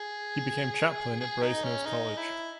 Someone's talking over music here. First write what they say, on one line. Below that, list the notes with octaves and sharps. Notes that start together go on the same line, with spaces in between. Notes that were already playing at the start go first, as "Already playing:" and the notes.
He became chaplain at Brasenose College.
Already playing: G#4
G#4
D#4
C#4
D#4
E4